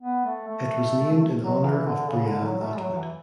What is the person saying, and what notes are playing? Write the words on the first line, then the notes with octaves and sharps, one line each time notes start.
It was named in honor of Brianne Atwood.
B3
A3
A3
F#3
E3
D3
C#3
D3
F#3
A3
F#3
E3